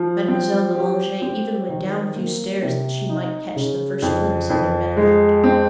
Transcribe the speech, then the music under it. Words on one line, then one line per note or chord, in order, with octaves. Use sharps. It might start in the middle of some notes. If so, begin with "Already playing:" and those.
Mademoiselle de Langeais even went down a few stairs that she might catch the first glimpse of their benefactor.
Already playing: F3
C4
G4
C4
D#3
A#3
C3
D#4
C#3
F2
F2
G#3
C4